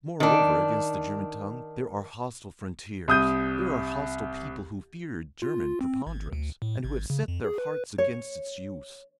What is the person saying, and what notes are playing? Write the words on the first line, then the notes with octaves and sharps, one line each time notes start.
Moreover, against the German tongue there are hostile frontiers, there are hostile people who fear German preponderance, and who have set their hearts against its use.
D#3 D4
C2 D#6 G6 D#7
F4
C4
G#1
D2
A2
G#1
C#3
F2
G#4
B4
C#5